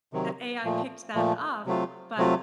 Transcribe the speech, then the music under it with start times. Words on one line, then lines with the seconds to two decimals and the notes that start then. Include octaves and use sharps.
that AI picked that up, but,
0.13 C3 D#3 F#3
0.64 A#2 F3 A3
1.15 A#2 F3 A3
1.66 C3 F#3 A3 C4 F4
2.17 C3 F#3 A3 C4 F4